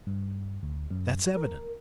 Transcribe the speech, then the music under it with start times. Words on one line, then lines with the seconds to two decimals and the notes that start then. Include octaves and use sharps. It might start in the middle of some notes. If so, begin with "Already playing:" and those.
That's evident.
0.07 G2
0.63 D2
0.91 F#2
1.37 A#4